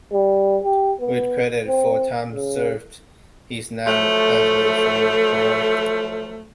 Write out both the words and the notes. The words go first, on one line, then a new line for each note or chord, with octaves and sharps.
With credit for time served, he is now eligible for parole.
G3
G4
B3
C4
C#3
F3 F#3 A3